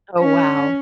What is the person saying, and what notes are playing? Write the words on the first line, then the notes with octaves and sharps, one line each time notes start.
Oh, wow.
C#4